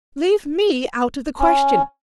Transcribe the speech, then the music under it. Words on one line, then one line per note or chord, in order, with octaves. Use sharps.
Leave me out of the question.
C#4